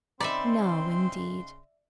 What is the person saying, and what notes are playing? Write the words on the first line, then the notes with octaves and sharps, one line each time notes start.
"No, indeed."
C#3 C4 D#4 D5 E5 B5 C6